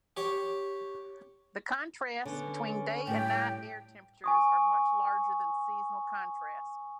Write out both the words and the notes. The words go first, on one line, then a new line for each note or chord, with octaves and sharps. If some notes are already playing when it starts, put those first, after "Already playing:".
The contrasts between day and night air temperatures are much larger than seasonal contrasts.
G4 C#5
D3 B3 C#4
A2 G3 G5
G#5 C#6 D#6